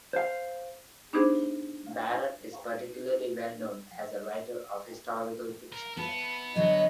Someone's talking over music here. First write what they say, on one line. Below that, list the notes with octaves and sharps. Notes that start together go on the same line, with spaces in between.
Barrett is particularly well known as a writer of historical fiction.
C5 F5
B3 D4 D#4 G4 G#4 C5
A#4
B3 E5 A5
D3 F#3 C#5 D#5